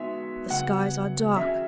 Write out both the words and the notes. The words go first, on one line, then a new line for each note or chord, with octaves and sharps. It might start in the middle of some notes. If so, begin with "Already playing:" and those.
The skies are dark!
Already playing: G#3 B3 D#4 F#4 E5
C#3 F#3 B3 F#5
D#3 F#3 C#4 G#4 E5